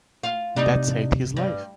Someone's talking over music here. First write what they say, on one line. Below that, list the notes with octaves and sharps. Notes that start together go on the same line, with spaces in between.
That saved his life.
F4
C3 D4 D#4
G2